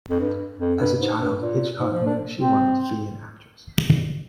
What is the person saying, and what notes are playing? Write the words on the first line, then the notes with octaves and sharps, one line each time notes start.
As a child, Hitchcock knew she wanted to be an actress.
F2
G2
F2
G2
G#2
G2
A#2
G#2
F3
D4
C4